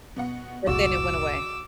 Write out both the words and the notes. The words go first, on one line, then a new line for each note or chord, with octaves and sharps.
but, then it went away.
B2 B3 F#5
F1 C2 A#2 G#3 F#4 D5 D6 E6